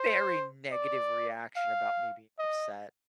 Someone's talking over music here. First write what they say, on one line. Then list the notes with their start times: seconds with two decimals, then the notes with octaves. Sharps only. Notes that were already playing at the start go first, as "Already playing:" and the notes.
very negative reaction about me being upset,
Already playing: C5
0.72 D5
1.56 F5
2.39 D#5